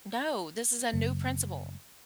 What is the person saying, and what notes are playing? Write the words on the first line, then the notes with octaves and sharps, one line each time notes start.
No, this is a new principal.
F#1